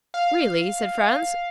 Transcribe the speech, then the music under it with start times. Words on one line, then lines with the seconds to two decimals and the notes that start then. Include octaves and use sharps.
"Really?" said Franz.
0.14 F5